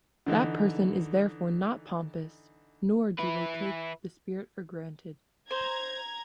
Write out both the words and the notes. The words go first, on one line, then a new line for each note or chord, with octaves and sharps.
That person is therefore not pompous, nor do they take The Spirit for granted.
D3 E3 D#4
E4 B4
C5 A#5 G#6